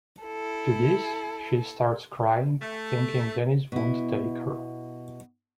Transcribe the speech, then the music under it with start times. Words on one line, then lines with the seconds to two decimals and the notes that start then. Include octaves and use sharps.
To this, she starts crying, thinking Dennis won't take her.
0.24 E4 A4
2.61 A3
3.72 B2 E4